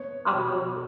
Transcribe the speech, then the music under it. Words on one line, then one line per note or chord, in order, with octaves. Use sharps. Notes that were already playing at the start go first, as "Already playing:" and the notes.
I'll come to"
Already playing: B3 C#5
B2